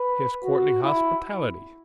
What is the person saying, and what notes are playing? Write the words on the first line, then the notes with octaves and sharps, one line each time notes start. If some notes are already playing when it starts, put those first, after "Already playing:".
His courtly hospitality?
Already playing: B4
F#4
E4